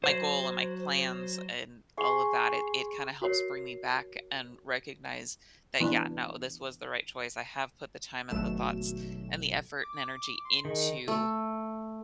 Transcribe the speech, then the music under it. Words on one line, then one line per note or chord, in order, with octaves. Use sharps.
my goal, and my plans, and all of that, it it kinda helps bring me back and recognize that, "Yeah, no, this was the right choice. I have put the time, and the thoughts, and the effort, and energy into"
F#3 C5
G#4 C6 C#6
F#4 A#4 C#5 C7
E3 B3 D4
G#1 B2 F#3 A3 E7
D6
C6
D#3 G#4
A3